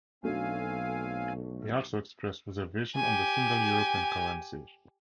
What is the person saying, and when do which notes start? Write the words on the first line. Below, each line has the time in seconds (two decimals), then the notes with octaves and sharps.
He also expressed reservations on the single European currency.
0.24 B1 F#3 A3 C4 D4 F5 G#5
2.96 G4 G#5